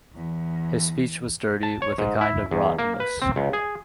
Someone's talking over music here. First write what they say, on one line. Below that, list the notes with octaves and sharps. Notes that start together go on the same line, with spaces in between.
His speech was dirty, with a kind of rottenness.
E2
A5
C#5
G#2
E4
E2
A#3
B4
C4
C#2
G#4